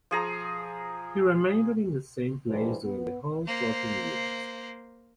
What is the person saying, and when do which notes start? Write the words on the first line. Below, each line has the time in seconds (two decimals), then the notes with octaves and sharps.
He remained in the same place during the whole fourteen years.
0.11 F3 G#4 A#5
2.48 G2 E3 F#3 G#3 A4 C5
2.84 B3
3.47 A#3 C5